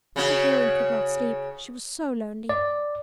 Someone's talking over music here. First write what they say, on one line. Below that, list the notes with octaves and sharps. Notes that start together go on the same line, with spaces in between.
But the Heron could not sleep, she was so lonely.
C#3 C#4 F#4
D5